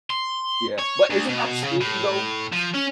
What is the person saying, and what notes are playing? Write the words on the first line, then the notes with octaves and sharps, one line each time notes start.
Yeah, but isn't that streaming, though?
C6
C#5
D2
B2
C#3
A2
F3
C#4